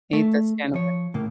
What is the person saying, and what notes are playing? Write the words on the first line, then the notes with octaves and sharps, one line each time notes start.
Eat the skin with
A3
F3 C#5
A2 C#3 A#3